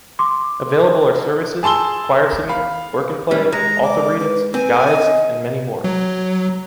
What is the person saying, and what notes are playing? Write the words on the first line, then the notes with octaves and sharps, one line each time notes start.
Available are Services, choir singing, organ playing, author readings, guides and many more.
C6 D6
G#4 A5 C6 E6 G7
F5 B5
G3 C#4
G#3 A#5
D5 D6
B4
C4 B4 G#5
D#5
F#3